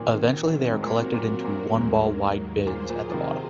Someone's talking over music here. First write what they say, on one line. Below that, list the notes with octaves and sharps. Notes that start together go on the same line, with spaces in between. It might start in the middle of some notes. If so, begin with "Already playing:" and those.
Eventually, they are collected into one-ball-wide bins at the bottom.
Already playing: A#2 D#3 F#3 C4
G#2
A#2 F#3 C4 F#4 A#4
A#2
A#2
D#2 G#2 D#3 F#3 A#3
A#2 F#3 A#3 F4 G#4 C5
A#2
F3
C3 D#3